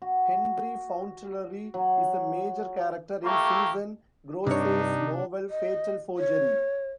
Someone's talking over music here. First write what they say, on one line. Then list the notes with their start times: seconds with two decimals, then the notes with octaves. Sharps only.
Henry Fauntleroy is a major character in Susan Grossey's novel "Fatal Forgery".
0.02 F#4
1.74 F#3
3.24 A3 A#3 E4 G4 F5 C#6
4.46 G2 C3 D4 D#4 C#5
5.50 D#5
6.18 C#5